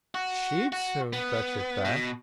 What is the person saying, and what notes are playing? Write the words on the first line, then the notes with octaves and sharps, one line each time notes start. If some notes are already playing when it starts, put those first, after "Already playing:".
'She'd soon fetch it back!'
F#4
F#4
B3
B2